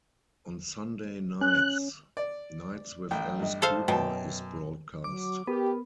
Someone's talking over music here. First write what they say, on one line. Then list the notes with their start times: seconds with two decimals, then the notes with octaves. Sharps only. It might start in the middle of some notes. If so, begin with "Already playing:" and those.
On Sunday nights, "Nights with Alice Cooper" is broadcast.
1.41 C#4 F#6
2.17 D5
3.11 A1 G5
3.40 G2 D#5
3.62 A4 C5 F5
3.88 F#2 B2 G5 A5
5.04 F#3 D6
5.47 B3 G4 A#4